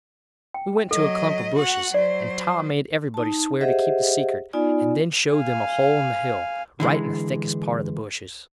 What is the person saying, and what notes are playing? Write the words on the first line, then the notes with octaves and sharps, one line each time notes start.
We went to a clump of bushes, and Tom made everybody swear to keep the secret, and then showed them a hole in the hill, right in the thickest part of the bushes.
G5
F#3 A4 D#5
F#4 F#5
F#3 C5 D5
D#4 A5
G4 G#4 C5 D#5 E5 F#5
B3 D#4 F4 D5 G#5
F5 G#5
D3 E3 G#3